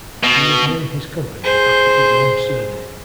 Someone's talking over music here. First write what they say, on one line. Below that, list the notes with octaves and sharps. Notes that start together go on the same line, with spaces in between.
He would name his company after his own surname.
B2
G#4 C5